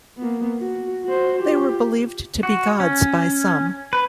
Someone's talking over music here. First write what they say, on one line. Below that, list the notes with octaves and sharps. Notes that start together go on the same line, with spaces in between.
They were believed to be gods by some.
A#3 B3
F#4
F#4 C5
F4 G4
F#4
C#4
B4